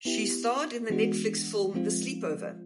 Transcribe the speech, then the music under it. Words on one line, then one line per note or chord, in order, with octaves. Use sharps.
She starred in the Netflix film "The Sleepover".
B3 E4 G4
E3 G#3 B3 D4 F#4
F3 G#3 C4 F4